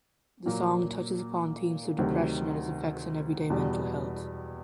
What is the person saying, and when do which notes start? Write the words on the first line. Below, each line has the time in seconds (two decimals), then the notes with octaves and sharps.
The song touches upon themes of depression and its effects on everyday mental health.
0.46 A#2 F#3 A#3
1.98 D2 C3 D#3 F#3
3.50 E2 B2 G3